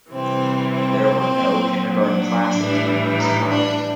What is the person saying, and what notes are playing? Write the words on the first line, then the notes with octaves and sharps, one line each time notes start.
There were no kindergarten classes in the municipality.
C3 E3 G3 C4
C4
A#2 F#3
D4
A2 E3 G3
D#4
D4